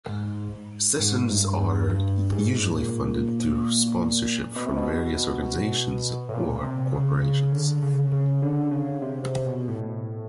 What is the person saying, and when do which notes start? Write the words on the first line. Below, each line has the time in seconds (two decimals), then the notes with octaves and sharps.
Sessions are usually funded through sponsorship from various organisations or corporations.
0.08 G#2
0.99 G#2
1.28 G2
1.58 G2
1.87 G2
2.32 G#2
2.76 A#2
4.56 B2
4.66 C3
4.76 B2
6.29 A2
6.34 A#2
6.63 C3
6.93 C#3
7.23 C#3
7.52 D3
7.82 C#3
8.12 C#3
8.42 D3
8.71 C#3
9.02 C3
9.23 C3
9.46 B2
9.68 A2